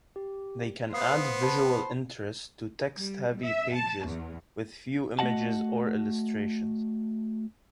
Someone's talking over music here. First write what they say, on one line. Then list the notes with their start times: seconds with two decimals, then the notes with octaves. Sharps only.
They can add visual interest to text-heavy pages with few images or illustrations.
0.16 G4
0.93 B3 C5 F5 D#6 C7
1.42 A5 B5
2.94 G3
3.42 E5
3.74 A5
4.04 E2
5.19 A3 F#4 D#5 F#5 A5